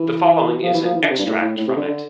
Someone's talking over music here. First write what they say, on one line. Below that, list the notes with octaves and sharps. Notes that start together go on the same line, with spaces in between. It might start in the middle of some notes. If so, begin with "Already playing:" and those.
The following is an extract from it.
Already playing: E3
F3
E3
F3
E3
D3
C3
G2
A2
A2
A2
C3
D3
D3